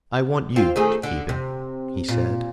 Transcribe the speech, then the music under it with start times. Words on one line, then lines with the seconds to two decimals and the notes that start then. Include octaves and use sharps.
"I want you to keep him," he said.
0.56 C4 F4
0.76 D#3 A3 G#4
1.03 D3
1.29 C3
2.09 A#2